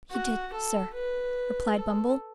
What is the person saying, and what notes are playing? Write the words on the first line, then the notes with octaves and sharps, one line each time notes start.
'He did, sir,' replied Bumble.
F#4
A4
B4
A4